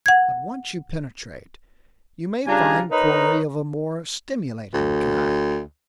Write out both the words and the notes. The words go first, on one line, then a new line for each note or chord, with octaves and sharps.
But once you penetrate, you may find quarry of a more stimulating kind.
F#5 G#6
C#3 G3 D4 F4 G#5 A#5
D#4 A#4 B4 C#5 D#5
D2